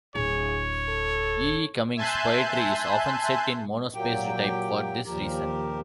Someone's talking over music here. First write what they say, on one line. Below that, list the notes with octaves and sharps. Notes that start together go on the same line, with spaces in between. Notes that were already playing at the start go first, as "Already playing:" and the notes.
E. E. Cummings' poetry is often set in monospaced type for this reason.
D1 G#4 C#5
A4
E5 G#5 A5 C6 F#6 G6
A#2 F#3 A#3 G4 G5
D#2 A#2 F3 G4 A#4